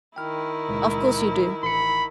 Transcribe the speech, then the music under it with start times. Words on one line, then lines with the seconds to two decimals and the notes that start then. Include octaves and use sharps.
Of course you do.
0.16 D#3 E4 G5 F6
0.69 C#2 A#2 G#3
1.63 A1 B5 C#7